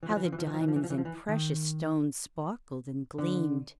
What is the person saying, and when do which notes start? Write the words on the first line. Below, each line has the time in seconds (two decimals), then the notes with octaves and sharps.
How the diamonds and precious stones sparkled and gleamed!
0.03 E3
0.10 F3
0.17 E3
0.25 F3
0.32 E3
0.39 F3
0.47 E3
0.54 F3
0.61 E3
0.68 F3
0.76 E3
0.84 F3
0.90 E3
0.98 F3
1.05 E3
1.29 D#3
3.18 D3